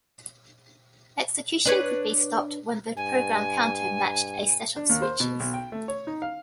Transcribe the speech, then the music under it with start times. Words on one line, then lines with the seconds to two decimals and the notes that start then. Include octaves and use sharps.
Execution could be stopped when the program counter matched a set of switches.
1.65 D4 B4 C#5
2.97 G2 G#5
4.76 D4
4.89 D#2
5.02 C5
5.20 B2
5.40 B1
5.54 G5
5.72 A3
5.88 C#5
6.07 D#4
6.22 F5